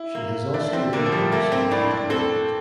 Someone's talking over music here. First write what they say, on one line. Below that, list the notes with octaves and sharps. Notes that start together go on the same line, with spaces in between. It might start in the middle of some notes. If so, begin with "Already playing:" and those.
She has also written books about the conflict.
Already playing: E4
A#3
A3 D4
C4
D3 A#3
F3
G3
A3 A#3
C4
A2 D4
D4
C4 A4